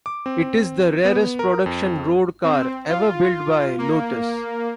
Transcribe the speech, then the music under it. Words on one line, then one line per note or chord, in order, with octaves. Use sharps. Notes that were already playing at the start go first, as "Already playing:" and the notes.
It is the rarest production road car ever built by Lotus.
D6
C4
B3
A#4
F2
C4
F4
A#3